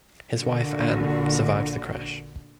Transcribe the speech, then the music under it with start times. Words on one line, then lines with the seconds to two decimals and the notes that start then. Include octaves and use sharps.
His wife Ann survived the crash.
0.39 A#2 D3 F#4